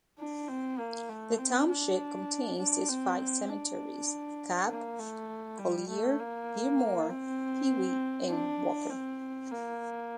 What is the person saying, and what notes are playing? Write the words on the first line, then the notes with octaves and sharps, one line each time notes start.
The township contains these five cemeteries: Capp, Collier, Gilmore, Peewee and Walker.
D4
C4
A#3
A3
C4
D4
D4
C4
D4
A#3
A3
G3
A3
A#3
C4
D4
C4
A#3